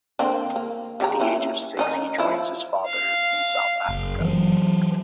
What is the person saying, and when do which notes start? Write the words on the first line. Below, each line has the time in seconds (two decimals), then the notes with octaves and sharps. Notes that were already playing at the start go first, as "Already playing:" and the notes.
At the age of six he joins his father in South Africa.
0.19 D3 A#3 C4
0.56 A#3
1.00 C#3 G4 A#5
1.20 A#3 C#4 E4
1.77 D#3 C#4 D#4
2.18 F3 E4
2.86 F5
3.88 F#1
4.21 E3 F#3